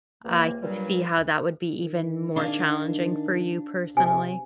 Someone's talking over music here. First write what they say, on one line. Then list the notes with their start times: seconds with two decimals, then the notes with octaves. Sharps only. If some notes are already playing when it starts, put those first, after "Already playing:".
I could see how that would be even more challenging for you, personally.
0.24 C#2 C3 A#3
0.62 G2 A#2 F#3 G3
1.82 D#3
2.36 D4 G#4 F5
3.97 C3 G#5